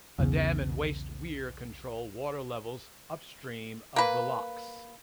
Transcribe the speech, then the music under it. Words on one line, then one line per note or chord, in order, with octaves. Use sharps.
A dam and waste weir control water levels upstream of the locks.
B1 E2 C#3 B3
A#3 B4